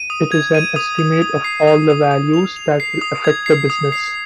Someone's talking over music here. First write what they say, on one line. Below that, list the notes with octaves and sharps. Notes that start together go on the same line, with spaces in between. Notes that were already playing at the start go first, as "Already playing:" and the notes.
It is an estimate of all the values that will affect the business.
Already playing: D#7
D#6
G#6
D#7
D#6
D#6
D#6
C7
D#6
D#6
D#6
F7
F7
C7
D#6
G#6
C7
D#6
C7